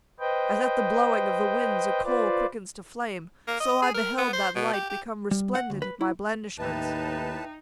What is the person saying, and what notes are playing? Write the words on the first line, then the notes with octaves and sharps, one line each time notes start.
As at the blowing of the winds a coal Quickens to flame, so I beheld that light Become resplendent at my blandishments.
B4 C5 D#5 G5
F4 B4 C5 D5
A#3
D#5
G#4
A#4
B3
C5
B2
G4
G4
G3
F#5
D2
B4
E4
D#2 A2 D#4 B4 D#5 E5 G5 A5